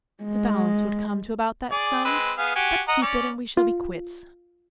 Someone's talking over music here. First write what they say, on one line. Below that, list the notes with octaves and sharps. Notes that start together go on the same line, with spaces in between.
"The balance would come to about that sum; but keep it, and we shall be quits."
G#3
G#4 D5
G#3 C4 B4
B3 G#4 F5
F#4 G4 G#5
D#5 F#5 A#5
C#4 D5
F4